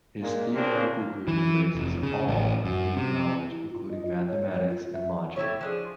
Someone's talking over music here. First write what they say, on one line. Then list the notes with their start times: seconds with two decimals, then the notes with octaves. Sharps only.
His theoretical group embraces "all" of human knowledge, including mathematics and logic.
0.21 A#2 G#3 A#3
0.55 C#3 A#3 C4 D4
1.28 E3
1.75 F1
2.03 C#3
2.28 A1
2.65 F#2
2.96 C3
3.50 E4
3.70 F4
3.91 D#5
4.05 F4
4.28 C#5
4.52 C#5
4.69 F4
4.93 E5
5.36 A3 E4 G4 C#5
5.61 F3 D4 G#4